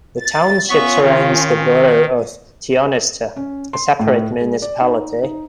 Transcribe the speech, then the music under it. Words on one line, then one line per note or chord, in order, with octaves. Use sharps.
The township surrounds the borough of Tionesta, a separate municipality.
A6
B3 C#4 F4 E5 C#6
D#3
C#4
C6
A2
G#3
D5
D#4
D#4